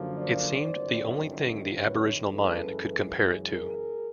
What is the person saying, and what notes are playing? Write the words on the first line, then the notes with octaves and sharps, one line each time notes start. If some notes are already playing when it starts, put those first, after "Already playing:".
It seemed the only thing the aboriginal mind could compare it to.
Already playing: F#2 D3 F3 A#3
C5 D5
G1 F#2 D#3
B4 C#5
F#2 C#3 E3 G#3 A4 B4
G#4 A#4